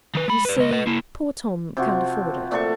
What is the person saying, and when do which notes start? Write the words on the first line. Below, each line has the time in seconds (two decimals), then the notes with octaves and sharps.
"You see, poor Tom can't afford it."
0.15 D#3 B4
0.28 G#3 B5
0.45 B4 D5
0.57 C#2 D#5
0.71 B4 D#5
0.87 A#3 E4
1.77 C3 F3 F#4
2.51 A#2 A3 A4 C#6